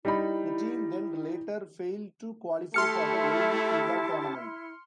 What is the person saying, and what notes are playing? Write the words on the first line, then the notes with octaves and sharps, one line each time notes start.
The team then later failed to qualify for the Olympic football tournament.
G3 D#4 E4 B5
A3 E4 G4 A5 C6 F6 C#7